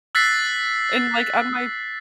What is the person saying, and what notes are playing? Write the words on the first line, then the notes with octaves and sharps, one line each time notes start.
and, like, on my
E6 F#6 A6 B6 C7